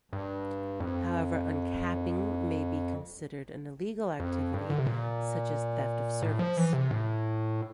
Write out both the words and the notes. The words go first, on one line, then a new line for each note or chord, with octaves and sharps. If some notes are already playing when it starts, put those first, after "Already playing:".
However, uncapping may be considered an illegal activity, such as theft of service.
G2
F2
F2
G2
D3
C3
A#2
A2
F3
E3
C3
A2